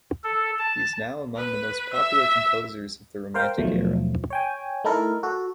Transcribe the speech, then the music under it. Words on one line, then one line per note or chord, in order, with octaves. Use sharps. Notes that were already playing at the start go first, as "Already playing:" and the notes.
He is now among the most popular composers of the Romantic era.
A4
A5
B4
E5
A#4 C5 F5 G5
D#2 B2 D#3 F3 F#3 A3
C#5 G5 G#5
A3 D#4 E4 A4 A#4
F#4 A4